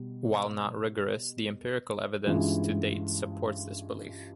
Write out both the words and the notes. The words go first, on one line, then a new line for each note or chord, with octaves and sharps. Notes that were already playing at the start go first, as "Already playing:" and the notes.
While not rigorous, the empirical evidence to date supports this belief.
Already playing: B2 G3
G2 E3 G#3 C#4 F4